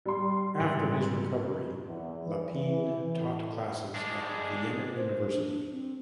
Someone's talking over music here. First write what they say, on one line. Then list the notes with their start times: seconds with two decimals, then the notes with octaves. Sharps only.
After his recovery Lapine taught classes at Vienna University.
0.06 G3 C6
0.60 G#2 C#3
1.87 E2
2.25 E3
2.67 E3
3.17 A2
3.95 G#3 D4
4.96 C5
5.25 D4
5.72 C4